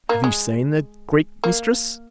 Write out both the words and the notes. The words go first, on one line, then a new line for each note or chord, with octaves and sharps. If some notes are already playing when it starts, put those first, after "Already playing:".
"Have you seen the Greek mistress?"
A#3
G#3
A#3